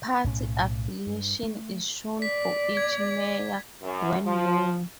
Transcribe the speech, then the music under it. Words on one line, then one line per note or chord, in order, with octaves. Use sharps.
Party affiliation is shown for each mayor, when known.
B1 A2 C#4
G2
A3
D5 B6
G#6
F#2
F3